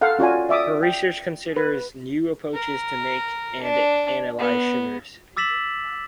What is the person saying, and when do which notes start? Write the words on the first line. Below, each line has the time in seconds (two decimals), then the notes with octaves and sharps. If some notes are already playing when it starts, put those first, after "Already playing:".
Her research considers new approaches to make and analyse sugars.
0.01 A4 F5 F#5
0.19 C#4 F4 F#4 D5 G#5
0.49 D5 E5 D6 D#6
0.83 G5
1.57 B4
2.53 A#4
3.62 D4
4.39 B3
5.37 D6 E6 A6 B6 E7 F#7